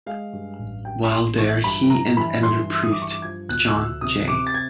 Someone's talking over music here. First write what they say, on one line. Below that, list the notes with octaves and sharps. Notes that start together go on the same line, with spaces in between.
While there he and another priest, John J.
G#3 F5
G2
A1
G2 G5
B5
A1 C6
E3 C#6
G2 B5
G2 A#5
E3 B5
G2 C6
E3
D#6
D6
G2
C#6
D6
F3 G#6
D2 F#6
D2 E6
C3 D#6
C3 D6
A6
G#6